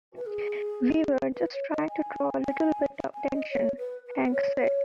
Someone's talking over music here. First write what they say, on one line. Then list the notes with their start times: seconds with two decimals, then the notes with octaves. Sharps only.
"We were just trying to draw a little bit of attention," Hank said.
0.17 B4
0.26 G#4
1.34 B4
1.53 C#5
1.70 D#5
1.89 G#5
2.43 G#5
3.14 G#5
3.32 D#5
3.51 C#5
3.78 B4
4.06 B4
4.25 B4
4.32 C#5
4.59 C#5